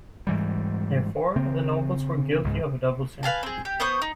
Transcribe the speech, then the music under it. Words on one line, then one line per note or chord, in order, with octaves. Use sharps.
Therefore, the nobles were guilty of a double sin.
G#2 E3 G3
C#3 C4
C#2 G#2
B4 F5 G#5 A5
C4 G#4
G4
B3 C5 C#6 D#6
D#4